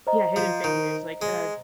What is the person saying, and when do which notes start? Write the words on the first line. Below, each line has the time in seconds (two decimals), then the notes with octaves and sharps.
Yeah, Hidden Figures, like, uh,
0.07 C5 D#5 A#5
0.36 F3
0.64 D#3
1.22 G#3